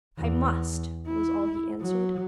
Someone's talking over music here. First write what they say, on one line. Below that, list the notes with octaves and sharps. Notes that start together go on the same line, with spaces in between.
'I must,' was all he answered.
E2
E4
F#3